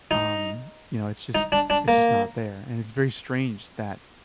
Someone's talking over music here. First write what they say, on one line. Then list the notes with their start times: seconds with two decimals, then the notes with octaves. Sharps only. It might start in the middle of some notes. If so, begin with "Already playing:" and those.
um, you know, it's just it's just not there. And it's very strange that
0.11 D#4
1.35 D#4
1.52 D4
1.70 D4
1.88 A#3